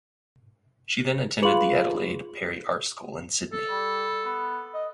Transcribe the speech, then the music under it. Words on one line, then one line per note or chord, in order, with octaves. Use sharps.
She then attended the Adelaide Perry Art School in Sydney.
F4 G#4 B4 F#7
A4
G3
B3
D#5